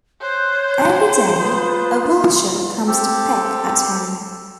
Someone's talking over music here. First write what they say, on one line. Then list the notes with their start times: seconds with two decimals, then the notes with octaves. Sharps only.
Every day, a Vulture comes to peck at him.
0.21 C5 C#5 F#6 G6
0.92 G5 G#5
1.37 F4 B4 A#5 C6 D#6
2.88 C4 G4 A4